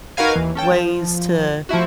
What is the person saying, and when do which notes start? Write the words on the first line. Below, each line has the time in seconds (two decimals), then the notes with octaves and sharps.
ways to
0.17 D#4 F#4 A#4 B4 F5 G#5
0.36 D#2 E3
0.55 C#4 A4 G5
0.72 F3
1.69 F3 A3 E4 F#4